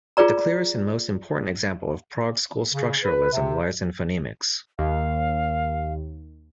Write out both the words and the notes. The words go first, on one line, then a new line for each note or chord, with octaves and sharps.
The clearest and most important example of Prague school structuralism lies in phonemics.
F4 G#4 B4 D5 A#5
C#3
B4
C3
D#2 F5